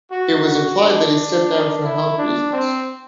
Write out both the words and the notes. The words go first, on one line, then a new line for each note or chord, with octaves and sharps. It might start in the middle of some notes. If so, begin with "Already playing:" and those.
It was implied that he stepped down for health reasons.
F#4
F#4
D4
E4
D4
C4